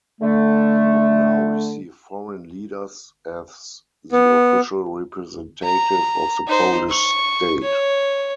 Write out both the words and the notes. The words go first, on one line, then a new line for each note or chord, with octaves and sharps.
He would now receive foreign leaders as the official representative of the Polish state.
D3 A3
B3
A#5
D#4 C5
C#6
C#5